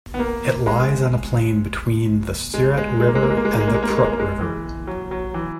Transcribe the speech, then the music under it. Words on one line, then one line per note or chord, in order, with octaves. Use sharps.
It lies on a plain between the Siret River and the Prut River.
B3
A#3
G#3
G#3
G#3
G#3
A#3
G#3
A#3
G#3
A#3
G#3
A#3
G#3
A#3
G#3
A#3
G#3
A#3
G#3
A#3
G#3
E3
F#3
F#3
E3